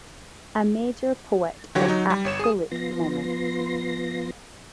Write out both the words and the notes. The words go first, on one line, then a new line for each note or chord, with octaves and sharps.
A major poet of absolute moments.
D3 E3 F#3 F#4 G4 C#5
F#3 D#4
G3
G1 C#5 E7
G#4 D#6
F3 B3 C6 A#6